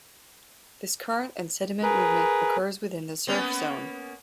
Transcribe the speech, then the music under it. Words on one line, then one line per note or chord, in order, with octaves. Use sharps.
This current and sediment movement occurs within the surf zone.
G#4 A#4 B4
A#3 B3 C#4